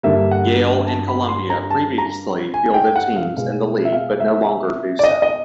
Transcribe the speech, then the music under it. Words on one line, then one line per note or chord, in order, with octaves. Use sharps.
Yale and Columbia previously fielded teams in the league but no longer do so.
G2 D3 G3 A#3 E5
F#5
A5
B5
C6
A#5
A5
A#5
G#5
G5
F#5
F5
B2 G#3 B3 F5
E5
F5
E5
D5
D#5
D#5